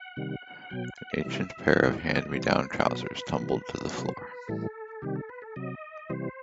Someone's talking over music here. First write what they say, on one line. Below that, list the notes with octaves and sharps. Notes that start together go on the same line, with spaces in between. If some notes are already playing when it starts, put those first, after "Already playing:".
An ancient pair of hand-me-down trousers tumbled to the floor.
Already playing: F#5
C3 D#3 G3
B2 F#3 G5
F#5
F#5
E5
C3 E3 G3
E5
A2 E3 G3 D#5
F#5
D#5
C3 E3 G3 C5
B2 F#3 B4
C3 E3 G3
C3 F#3 B4
C5
B4
A2 E3 G3 A4
C3 D#3 G3 G4
A4
B4
A4
C3 F#3 D#5
C3 E3 G3 C5